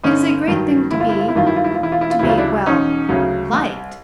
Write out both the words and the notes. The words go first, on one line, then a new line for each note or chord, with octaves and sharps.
It is a great thing to be--to be--well--liked.
G1 C#4 D#4
G2 D#3 F#3
G1 E4
F4
E4
F4
E4
G2 D#3 F#3 F4
E4
F4
E4
E1 F4
E4
F4
E4
F4
D2 C#3 F#3 E4
F4
D4 E4
E1 C#4 D#4
D2 C#3 F#3
C2